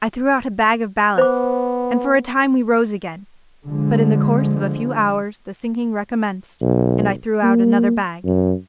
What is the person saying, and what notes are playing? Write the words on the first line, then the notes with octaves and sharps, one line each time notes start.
I threw out a bag of ballast, and for a time we rose again, but in the course of a few hours the sinking recommenced, and I threw out another bag.
B3 C5 D6
D3 F3 G#3
B1
A#3
F#2